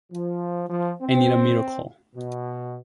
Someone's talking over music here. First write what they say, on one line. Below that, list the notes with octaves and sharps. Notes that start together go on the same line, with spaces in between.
I need a miracle.
F3
F3
C4
B2